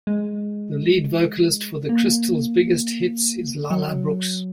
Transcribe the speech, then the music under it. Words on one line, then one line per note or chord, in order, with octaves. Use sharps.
The lead vocalist for The Crystals' biggest hits is La La Brooks.
G#3
A#3
F#3